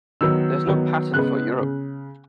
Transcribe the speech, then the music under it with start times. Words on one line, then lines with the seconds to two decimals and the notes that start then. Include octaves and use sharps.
There is no patent for Europe.
0.21 D#3 F#3 B3 E6
0.67 D#3 F#3 B3
1.14 C#3 G#3 B3 F#6
1.61 C#3